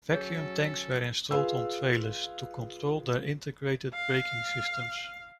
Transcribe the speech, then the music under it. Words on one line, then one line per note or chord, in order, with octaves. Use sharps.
Vacuum tanks were installed on trailers to control their integrated braking systems.
F#3 C#4 G#4 A4 C#5
F4 G#4 B4 F5 E6
F5